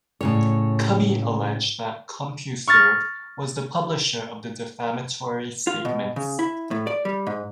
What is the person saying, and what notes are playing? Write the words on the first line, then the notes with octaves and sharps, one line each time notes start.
Cubby alleged that CompuServe was the publisher of the defamatory statements.
A2 C#3 C#5
C#6 F6 A6 A#6
F4
B2
C#3
E4
A2
D5
G3
G#2